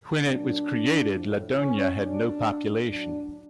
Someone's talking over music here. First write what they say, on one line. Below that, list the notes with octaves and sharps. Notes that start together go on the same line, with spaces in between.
When it was created, Ladonia had no population.
A#2 F#3 D4
A2 F3
C#4
B2 F#3 D4
A2 F#3 D4